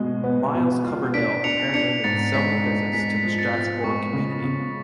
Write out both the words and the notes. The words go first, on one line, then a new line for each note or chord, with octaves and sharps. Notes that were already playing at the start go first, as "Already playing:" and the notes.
Myles Coverdale apparently made several visits to the Strasbourg community.
Already playing: B2 G#3
B3
B2
F4
D4 B6 D7
D4 C#7 F7
D4 C#7 F7
G#2 A6 C#7
G#3 B6
D4
G#3 B6
B6
F3
A6 C#7
F3
B6
G#3 C#6
C#3
C#3